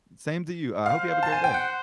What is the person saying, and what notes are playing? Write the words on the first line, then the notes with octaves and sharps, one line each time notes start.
Same to you, I hope you have a great day.
C5 F5
A5
G#5
G5
F#5